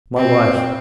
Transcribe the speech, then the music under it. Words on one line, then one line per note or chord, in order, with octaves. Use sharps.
"My wife!"
C4